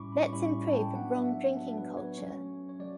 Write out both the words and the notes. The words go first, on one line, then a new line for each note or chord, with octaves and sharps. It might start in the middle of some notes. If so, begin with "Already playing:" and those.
Let's improve wrong drinking culture!
Already playing: A2 G3 C#4 E4 B5 C#6 D6
B5
C#6
A2 G3 C#4 E4 B5
A5
G5
F#3 B3 D4 F#5
E5
F#3 B3 D4
B4
C#5
F#3 A3 C#4 C#5
C#5
F#3 A3 D5